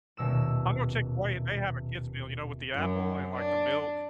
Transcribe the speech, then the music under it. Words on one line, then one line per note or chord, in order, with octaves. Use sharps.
I know Chick-fil-A, if they have a kids meal, you know, with the apple, and, like, the milk
D#1 B2 E6 E7
F#2
D4